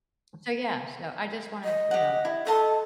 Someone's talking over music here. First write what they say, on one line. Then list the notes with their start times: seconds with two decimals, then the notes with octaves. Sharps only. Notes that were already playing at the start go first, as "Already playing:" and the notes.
so yeah, so, I just wanna, you know,
1.64 D#5
1.91 G4 F#5
2.25 E4
2.47 A4 D#5 A5 C6